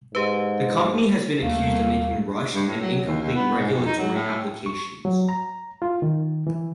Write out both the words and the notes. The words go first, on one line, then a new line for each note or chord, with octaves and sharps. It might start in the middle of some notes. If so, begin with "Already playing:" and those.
The company has been accused of making rushed and incomplete regulatory applications.
G#2 G4 B4
D#2 G3 A3 A#3 F5
G2
A2
F#3
D#2
D#2
B3
G#2
F2
D#4
F#3
A2
C#6
F#3
A#5
F4
D#3
E3